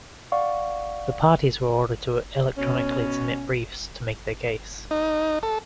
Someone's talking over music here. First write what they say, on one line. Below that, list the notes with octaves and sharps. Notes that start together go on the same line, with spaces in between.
The parties were ordered to electronically submit briefs to make their case.
D5 F5 F#5 C#6
B2 C#4
D#4
A4